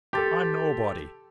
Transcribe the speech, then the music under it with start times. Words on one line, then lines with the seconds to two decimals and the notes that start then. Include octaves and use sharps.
I'm nobody.
0.13 G4 A4 A5 C6 A6